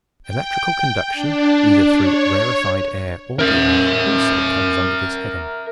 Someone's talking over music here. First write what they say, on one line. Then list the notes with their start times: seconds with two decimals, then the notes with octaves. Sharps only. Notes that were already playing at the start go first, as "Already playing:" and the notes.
Electrical conduction, either through rarefied air or the earth, also comes under this heading.
0.23 G5
1.13 D4
1.94 C#5
3.39 A#4 E5